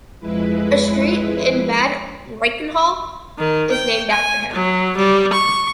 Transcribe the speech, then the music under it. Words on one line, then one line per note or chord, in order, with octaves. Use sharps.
A street in Bad Reichenhall is named after him.
F2 G#3 E4 B4
D#3
G5
G#5
F#3
G3
C#6